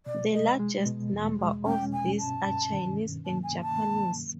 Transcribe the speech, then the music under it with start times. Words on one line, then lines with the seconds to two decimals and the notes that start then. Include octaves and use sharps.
The largest number of these are Chinese and Japanese.
0.06 B2 D5
0.32 G#3 D#5
0.59 G#3
0.85 B2
1.13 E2
1.39 G#3
1.66 C#4 G5
1.92 B2 G#5
2.19 G2 A5
2.46 G2
2.72 D#3
2.99 G2
3.26 A#3 A5
3.43 G#5
3.52 A#3
3.62 A5
3.79 A#3
4.05 F#3